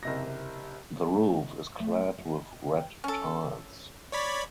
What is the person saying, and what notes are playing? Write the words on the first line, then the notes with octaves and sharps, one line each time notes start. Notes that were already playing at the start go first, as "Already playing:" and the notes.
The roof is clad with red tiles.
F#1 C3 A#6
A3
D#5
A3
C4
D#5
G5
C#4 A4
C#5 D5 B5